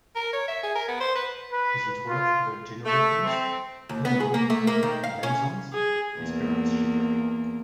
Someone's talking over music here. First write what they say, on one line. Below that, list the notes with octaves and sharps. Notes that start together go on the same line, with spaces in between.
Is it worth the Génovéfains’? You know... in Bezons? Espérance shivered.
A#4
C#5
E5
G#4
A#4
B3
C5
B4
B4
F4
A3
C4
D#2
B3
G#4
A#3
A3
A#3
D#3
F5
C#4
G#4
E2 A#3